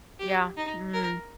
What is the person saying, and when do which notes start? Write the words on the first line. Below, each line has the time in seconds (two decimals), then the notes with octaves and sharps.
Yeah. Mm.
0.19 G4
0.57 D#4
0.93 A#4